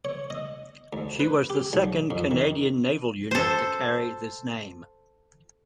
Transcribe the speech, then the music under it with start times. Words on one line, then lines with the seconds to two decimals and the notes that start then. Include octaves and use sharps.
She was the second Canadian naval unit to carry this name.
0.05 C#5
0.30 D#5
0.93 D2
1.19 B4
1.50 G4
1.73 B1
2.11 F2
2.31 D#3
3.31 A4 C5